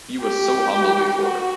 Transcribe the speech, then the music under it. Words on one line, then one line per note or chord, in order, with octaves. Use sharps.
He was so humble before her.
G4
F#4